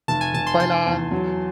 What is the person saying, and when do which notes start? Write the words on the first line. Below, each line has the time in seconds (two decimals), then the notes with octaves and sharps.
Fight Lah!
0.08 F1 A5
0.21 G#5
0.34 F1 A5
0.47 C6
0.60 F1 C6
0.86 E2
1.11 F#3